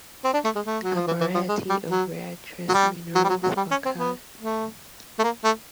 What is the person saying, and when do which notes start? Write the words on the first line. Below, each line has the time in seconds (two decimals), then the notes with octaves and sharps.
A variety of rare trace minerals occur.
0.24 C4
0.34 D4
0.44 A3
0.55 G#3
0.66 A3
0.84 F#3
0.95 F3
1.07 E3
1.20 E3
1.34 F3
1.48 G#3
1.69 G3
1.90 F#3
2.69 F#3
2.73 G3
3.15 F#3
3.24 G3
3.29 F#3
3.43 F#3
3.57 G3
3.71 C#4
3.85 C4
3.98 B3
4.41 A3
5.19 A3
5.23 A#3
5.44 A3